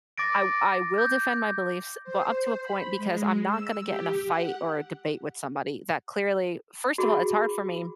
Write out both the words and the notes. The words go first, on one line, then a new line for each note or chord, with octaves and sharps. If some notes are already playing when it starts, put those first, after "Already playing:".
I I will defend my beliefs, but up to a point, because I'm not gonna get in a fight or a debate with somebody that clearly first of all, it's hard for me
D6 A6 A#6 D7
G6
C5
B5
G#3
E6
G4
F#5
F#4 G#4 B5